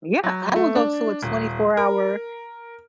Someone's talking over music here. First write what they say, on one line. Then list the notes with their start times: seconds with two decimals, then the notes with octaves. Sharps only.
Yeah, I will go to a twenty-four-hour,
0.24 F#3
0.56 A3
0.75 D4
1.23 D#1
1.77 A#4